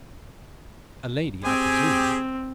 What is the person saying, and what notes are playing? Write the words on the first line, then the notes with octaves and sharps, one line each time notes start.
A lady, I presume.
C4 G4 G#4 G#5